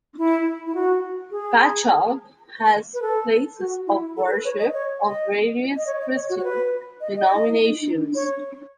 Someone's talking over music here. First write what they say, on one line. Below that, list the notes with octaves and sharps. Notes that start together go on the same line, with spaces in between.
Patchogue has places of worship of various Christian denominations.
E4
E4
F#4
G#4
B4
A4
F#4
E4
A4
B4
C#5
D#5
C#5
D#5
D#5
C#5
D#5
C#5
F#4
C#5
B4
D#5
D#5
C#5